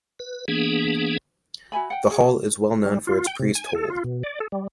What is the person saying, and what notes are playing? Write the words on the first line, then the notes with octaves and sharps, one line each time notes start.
The hall is well known for its priest hole.
B4
E3 A#3 B3 D4 G#4
F#4 E5 G#5 B5
F#5 G5
G#4 F5 A#5
G3
F4
G5
C3
G#5
A4
F4
B2
D5
A4
G3